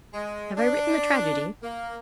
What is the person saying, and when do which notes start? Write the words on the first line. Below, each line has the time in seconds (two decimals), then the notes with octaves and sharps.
Have I written the tragedy?
0.14 G#3
0.58 D4
1.62 A#3